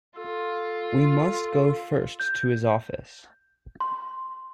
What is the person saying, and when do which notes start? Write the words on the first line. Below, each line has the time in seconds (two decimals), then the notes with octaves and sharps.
We must go first to his office.
0.17 F4 A4
2.20 G6
3.80 C6